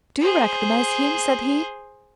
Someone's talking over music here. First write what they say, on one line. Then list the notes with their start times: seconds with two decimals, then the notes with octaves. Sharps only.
"Do you recognize him?" said he.
0.21 G#4 C5